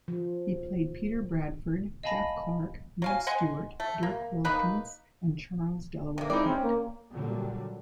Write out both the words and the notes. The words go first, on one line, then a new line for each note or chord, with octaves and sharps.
He played Peter Bradford, Jeff Clark, Ned Stuart, Dirk Wilkins, and Charles Delaware Tate.
F3
D#5 F5 G#5 A5 B5 A#6
F#3 F5 G#5
D#5 F#5 G#5 C6
A3
A#3
A#3 B3 D#4 B4
C3 A#3
G#3 C4 D#4 E4 D5
C4 C#4
A#3
A#2 D3 F#3 G3